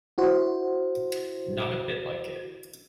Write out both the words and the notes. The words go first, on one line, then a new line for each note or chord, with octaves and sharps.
Not a bit like it.
E4 F#4 C5